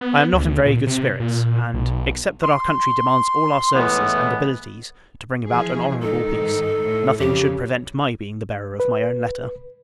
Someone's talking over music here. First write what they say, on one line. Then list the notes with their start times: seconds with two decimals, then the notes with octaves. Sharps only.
I am not in very good spirits; and, except that our country demands all our services and abilities, to bring about an honourable peace, nothing should prevent my being the bearer of my own letter.
0.01 B3
0.33 D2
0.65 A#2
0.87 C3
1.20 A#2
1.74 B1
2.43 C6
3.75 A2 E3 G#3 B3
5.47 E3 F3 G#4
6.02 G#2 D#3 D#4 A4
6.84 A2
7.19 F2 C#3 G4
8.80 B4